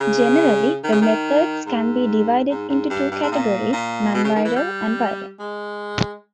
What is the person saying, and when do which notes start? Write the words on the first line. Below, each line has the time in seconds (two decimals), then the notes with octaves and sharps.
Generally, the methods can be divided into two categories: non-viral and viral.
0.01 C#3
0.84 D#3
0.92 C#3
1.02 D#3
1.66 G#2
2.49 G#2
2.69 G#2
2.90 G2
3.12 G2
3.22 G#2
3.32 A#2
3.73 A#2
4.14 B2
4.24 C#3
4.36 D#3
4.45 E3
4.56 G3
5.39 G#3